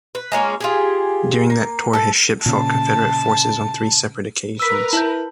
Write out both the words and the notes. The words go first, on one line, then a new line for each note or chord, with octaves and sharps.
During that tour, his ship fought Confederate forces on three separate occasions.
B4
G#3 A#3 C#4 F4
F4 G4 G#4
A#3
A4 A5
A#2 C#3 A5
A#4 B4 E6 B6
E4 A5 G6 F#7